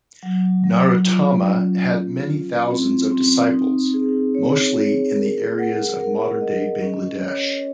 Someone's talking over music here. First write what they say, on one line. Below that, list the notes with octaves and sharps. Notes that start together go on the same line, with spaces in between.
Narottama had many thousands of disciples, mostly in the areas of modern day Bangladesh.
F#3
F#3
F4
C#4
F4
F4
C4
C4
D#4
G#4
C#5
G#4
A#4
F#5
A#4
D#5
C#4
C#5